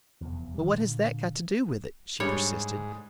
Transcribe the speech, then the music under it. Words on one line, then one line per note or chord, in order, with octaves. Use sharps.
"But what has that got to do with it?" she persisted.
F1 E2
D#3 G3
A#2 D3
G#2 G3 D4 C#5